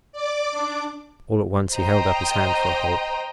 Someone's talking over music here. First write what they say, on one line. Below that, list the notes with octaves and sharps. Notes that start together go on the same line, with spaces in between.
All at once he held up his hand for a halt.
D5 D6
D4
C5 D#5 G5 A#5